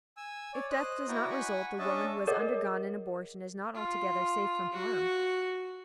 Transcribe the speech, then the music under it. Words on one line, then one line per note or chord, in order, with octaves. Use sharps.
If death does not result, the woman who has undergone an abortion is not altogether safe from harm.
G#5 E6
C#5 D5
C5 D#5 F#6
E4 F#4 D5 G5 A#5
F#5 G#5 B5 C#6
C#4 D4 D#5 E5 A5
G#4 A#4 C#5 D#5 F#5
F4
F#4